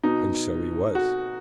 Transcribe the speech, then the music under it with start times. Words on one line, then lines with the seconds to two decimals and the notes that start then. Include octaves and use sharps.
And so he was.
0.04 B2 D#4
0.95 F#4